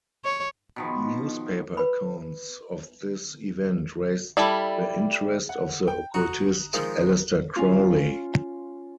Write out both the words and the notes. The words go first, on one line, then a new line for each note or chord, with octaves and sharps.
Newspaper accounts of this event raised the interest of the occultist Aleister Crowley.
C#5
B2 D#3 F3
B4 B5
G3 E4 A4
F#5
G5
F#4 A#5 D#6 F#6
D#3 F3 G#3
C#4 F4